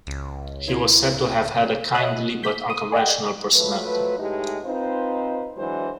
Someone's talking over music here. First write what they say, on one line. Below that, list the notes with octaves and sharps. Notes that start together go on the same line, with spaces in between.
He was said to have had a kindly but unconventional personality.
C#2
E4 A#4 C5
G#2 C#3
C#5 D#5 E5 D#6 F#6
G6 B6
D#6
G#4 D5 D#5 F#5 G5
F3 F#3 A3 B4
A2 G#3 D#4 G4
C4 D#4 F4 B4 C5
E3 F#3 G#3 D4 F#4 C5